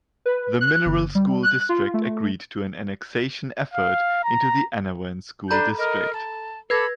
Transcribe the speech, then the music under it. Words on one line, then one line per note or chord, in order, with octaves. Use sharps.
The Mineral School District agreed to an annexation effort into the Annawan School District.
B4
F#6
G1
G3
F#6
F4
A3
F5
A#5
D4 A4 A#5 B5 G6
A#4 D#5 F6
A5
A4 B4 B5 D6 G#6 A#6